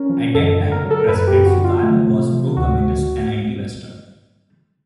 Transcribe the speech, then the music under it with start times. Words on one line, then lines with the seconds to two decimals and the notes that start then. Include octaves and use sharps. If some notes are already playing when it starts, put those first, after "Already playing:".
At that time, President Sukarno was pro-Communist and anti-Western.
Already playing: C#4 A#4
0.09 F3
0.34 F#2 A4
0.59 D3
0.71 A#4
0.83 F#3
0.90 A4
0.99 A#4
1.08 F#2 B4
1.27 G4
1.33 F#2
1.46 F#4
1.58 D3
1.64 F4
1.83 A3
2.08 C3
2.32 F3
2.57 D2 F#4